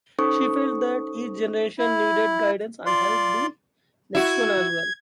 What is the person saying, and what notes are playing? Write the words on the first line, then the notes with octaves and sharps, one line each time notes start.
She felt that each generation needed guidance and help the next one as well.
C#4 D#4 A4 C5 C#6 D#6
E4
F4 D5 C6
E4 F#4 G#6